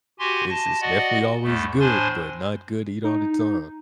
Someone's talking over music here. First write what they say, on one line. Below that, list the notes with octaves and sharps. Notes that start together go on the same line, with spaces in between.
it's it's definitely always good, but not good eat all the time.
F#4 G4 G#5 C6
A5 A#6
F#4 D5 D#5 F#5
E2 A3
A2 D4 C5 G#5 C6 A6
D#4